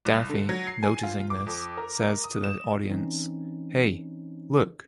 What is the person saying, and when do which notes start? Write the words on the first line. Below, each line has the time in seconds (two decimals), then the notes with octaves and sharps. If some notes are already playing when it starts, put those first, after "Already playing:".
Daffy, noticing this, says to the audience, Hey, look!
0.05 C2
0.30 D3
0.49 F#3
0.67 C7
0.83 G#5
1.03 F4
1.30 D6
1.47 F2
1.77 A#4
2.24 D#6
2.44 E7
2.89 E3 C4 C#4 D#4